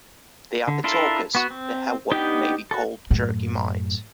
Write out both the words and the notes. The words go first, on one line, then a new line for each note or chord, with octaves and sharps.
They are the talkers that have what may be called jerky minds.
D3
D4 E4 F4 A4 A#4
B3 F#4
C4
B3 D4 D#4 G4 G5
F#4 A4
F#2 A2